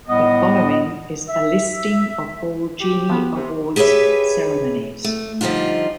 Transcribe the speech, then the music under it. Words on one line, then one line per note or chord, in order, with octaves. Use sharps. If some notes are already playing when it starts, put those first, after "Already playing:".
The following is a listing of all Genie Awards ceremonies.
A2 G3 B3 D#5
E5
G4
F3 B3
C3
G4 G#4 B4 C#5 E5
A3
D3 F3 G3 D#4 F4